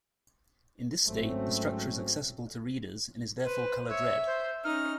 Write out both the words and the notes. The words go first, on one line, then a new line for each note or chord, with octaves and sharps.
In this state, the structure is accessible to readers, and is therefore colored red.
G#1 F#3 A3 C4 C#4
B4 C5
C#5 E5
C5
C#4 D#4 F6